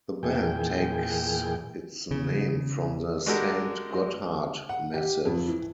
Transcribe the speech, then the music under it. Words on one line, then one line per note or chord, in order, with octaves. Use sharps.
The band takes its name from the Saint-Gotthard Massif.
E2 A#2 G#4 G5
C#3
G#3 D4 F#4 G4 A4 A#4
F#5
G4
F2
E3